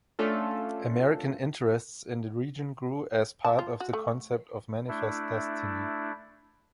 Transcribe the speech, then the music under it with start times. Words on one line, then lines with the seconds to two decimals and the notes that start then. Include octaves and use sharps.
American interests in the region grew as part of the concept of manifest destiny.
0.19 A3 C#4 D4 F4 A4
3.44 A5
3.59 F4
3.80 F#4
3.93 A3
4.89 A3 D4 E4